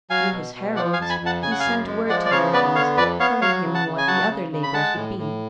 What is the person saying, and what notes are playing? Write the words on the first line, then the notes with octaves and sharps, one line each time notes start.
Through his heralds he sent word to Heracles, telling him what the other labors would be.
F#3 F5 G#5
B2
B2
F3 D5 F#5
F5 G#5
F2 A5
G#5 B5
F2
F#5 A5
C#3 G#5
F#5
F5 G#5
F#2
G#3
F3 D5 F#5
D5
C#3 C#5 F5
B3 B4 D5
D3 C#5 F5
F2 B4 D5
B3 C#5 F5
F#3 C#5 F5
C#3
F#5 A5
C#3
G#5
F#3 F#5 A5
C#3
C#3
B5
G#3 F#5 A5
A2
A2